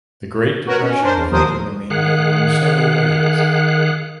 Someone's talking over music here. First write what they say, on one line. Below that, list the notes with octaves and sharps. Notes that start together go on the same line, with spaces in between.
The Great Depression affected Romania on several ways.
F#4 A#4 B4 C#5
C#4
D4 A#4 C5
E2
D#2 F3 F#3 A#4 C5 D#6
D#3 G#4 F5 F#5 F#6